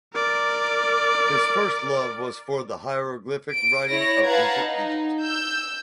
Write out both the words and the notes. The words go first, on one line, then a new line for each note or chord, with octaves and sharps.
His first love was for the hieroglyphic writing of ancient Egypt.
A#4 D5
D7
E4 C#5 A#6
B4 F5 F#5 A5 A#5 G#6
D#4
E6 G6